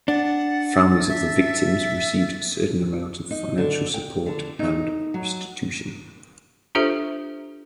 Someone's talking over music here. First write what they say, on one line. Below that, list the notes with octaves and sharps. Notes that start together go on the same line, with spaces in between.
Families of the victims received certain amount of financial support and restitution.
D4 F#5 A6
E5
D#4
D3
G5
D3
D#4
F#3
D4 F4 G4 A4 C5 E5